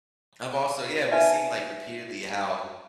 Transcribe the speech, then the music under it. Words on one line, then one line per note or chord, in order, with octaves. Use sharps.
I've also yeah, we've seen, like, repeatedly how
D#4 B4 D5 E5 G#5 A5